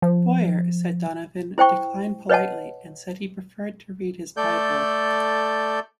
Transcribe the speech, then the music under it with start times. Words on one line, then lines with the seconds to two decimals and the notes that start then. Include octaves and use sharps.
Boyer, said Donovan, declined politely and said he preferred to read his Bible.
0.02 F3
1.58 E4 C5 G5 C#6
2.29 B4 C#5 D#5 F#5 A5
4.37 A3 A4 D5 G6